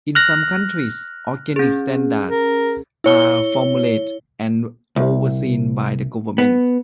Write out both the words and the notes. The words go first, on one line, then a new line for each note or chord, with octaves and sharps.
In some countries, organic standards are formulated and overseen by the government.
F6 F#6 A#6
C#4 G#4
A#4
E4 C#5 G7
C2
B3